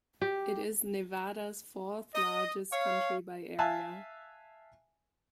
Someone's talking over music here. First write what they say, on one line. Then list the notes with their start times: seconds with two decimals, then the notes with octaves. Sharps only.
It is Nevada's fourth-largest county by area.
0.22 G4
2.13 D#5
2.72 C#5 F5
3.59 E5 F5 G#5 A5 F#6